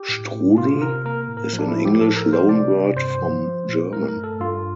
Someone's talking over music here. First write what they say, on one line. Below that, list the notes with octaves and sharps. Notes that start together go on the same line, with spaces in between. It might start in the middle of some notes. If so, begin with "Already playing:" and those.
Strudel is an English loanword from German.
Already playing: G4
A2
A2
C3 F4
C3 A#4
A#3 A#4
A2
A#4
F3
D4
E4
F3
G4
A2 A4
A#4
F3
C5
C3 D5
C3
G2 C5
F3
F3
A#2
A3 A#4
A#4
G2
A4
G2 F4